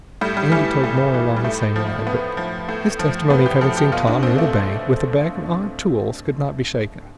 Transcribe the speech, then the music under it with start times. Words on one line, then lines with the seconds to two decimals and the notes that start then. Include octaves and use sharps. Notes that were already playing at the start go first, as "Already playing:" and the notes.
Andy told more along the same line, but his testimony of having seen Tom near the bank, with a bag of odd tools could not be shaken.
0.21 A2 G3
0.37 G3
0.52 E3 G3
0.84 A2
1.14 E3
1.36 G3
1.44 A2 A3
1.76 F3
2.07 A2 B3
2.37 F3
2.69 A2
2.99 F3
3.30 A2 B3
3.46 G4
3.61 F3 A4
3.77 G4
3.92 B2 F4
4.07 D4
4.23 C4
4.38 A3